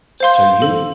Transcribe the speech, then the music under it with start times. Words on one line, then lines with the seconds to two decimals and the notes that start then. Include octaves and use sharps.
So you
0.20 C5 F5 C6 G6
0.62 A4